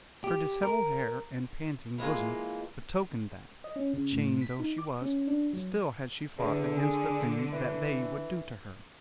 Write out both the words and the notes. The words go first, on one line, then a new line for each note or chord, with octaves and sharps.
Her disheveled hair and panting bosom betokened that, chained though she was, still had she fought against the thing that they would do to her.
G4
A#4
E3 G#3 A#3 F4
D#5
C#4
C#3
A2
B6
D#4
D6
C#4
D4
F#3
E2 D3
G#4
E3